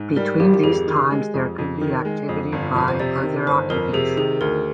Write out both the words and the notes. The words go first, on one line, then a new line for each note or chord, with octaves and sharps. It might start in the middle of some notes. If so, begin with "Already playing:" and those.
Between these times there could be activity by other occupants.
Already playing: G#2
G3 A#4
G#1 G4
G4
F2 G#4
D#3
G#3
F2
F2
D#3
G#3
F2
G1
F2
C5
C3 D5
D#3
G1 C5
F2 A#4
C3 G#4
D#3 G#4
D2 A#4